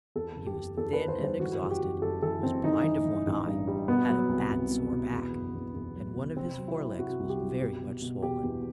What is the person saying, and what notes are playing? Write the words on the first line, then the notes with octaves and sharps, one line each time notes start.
He was thin and exhausted, was blind of one eye, had a bad sore back, and one of his forelegs was very much swollen.
E2 A4
F#1
G4
F#1
E2 A4
D#3 B4
C5
G3 C5
E3 F#4
F#1 F#4
G4
F#1
F#1 A4
E3 A4
F#1 C4
E3 D#4
E3
E3
A1
G2
G3
B2 B3
F#3
C2
C2
B2
B2
E2
F#1
E2
E2
F#3
B2
C3 C4
F#3
E4
F#3
C3 F#4
C2
G4
F#3
B2 G4
B2
B2
B2 G4
E2